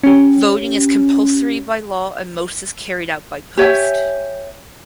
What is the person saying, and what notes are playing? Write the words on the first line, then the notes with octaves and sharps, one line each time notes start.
Voting is compulsory by law and most is carried out by post.
C#4 G4
G4 C#5 E5 G#5